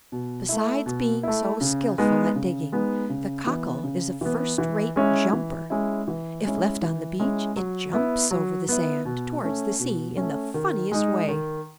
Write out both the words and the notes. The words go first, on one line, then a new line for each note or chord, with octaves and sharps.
Besides being so skilful at digging, the Cockle is a first-rate jumper. If left on the beach, it jumps over the sand, towards the sea, in the funniest way.
B2
A3 E4
B2
A3 E4
C#3
G#3 B3 D#4
C#3
G#3 B3 D#4
C#3
E3 B3
C#3
E3 B3
E3
G#3 C#4 E4
E3
G#3 C#4 E4
E3
G#3 C#4 E4
E3
G#3 C#4 E4
F#3
B3 E4
F#3
B3 E4
B2
A3 C#4
B2
A3 C#4
D#3
G#3 D#4
D#3